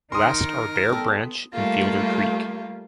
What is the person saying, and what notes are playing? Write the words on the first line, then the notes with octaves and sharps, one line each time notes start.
Last are Bear Branch and Fielder Creek.
D#3 D#4 A#4 C6 D#6
G3 B3 A4
G3 A3 A#3 F4